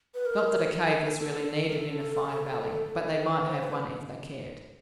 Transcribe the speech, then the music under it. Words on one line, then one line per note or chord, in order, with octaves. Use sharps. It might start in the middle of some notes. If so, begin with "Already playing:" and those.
Not that a cave was really needed in a fire valley, but they might have one if they cared.
B4
A#4
A4
A#4
A4
C5
B4
C5
B4